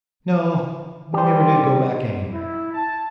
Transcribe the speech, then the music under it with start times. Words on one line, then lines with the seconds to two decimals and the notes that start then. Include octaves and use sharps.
No, we never did go back anywhere.
1.14 G3 G4 C5
2.32 E4
2.73 A5